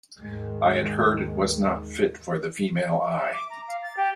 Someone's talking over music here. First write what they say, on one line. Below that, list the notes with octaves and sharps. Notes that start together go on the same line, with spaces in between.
I had heard it was not fit for the female eye.
D#2 G#2 D#3 G#3
E5
D6
A#5
F5
A6
G4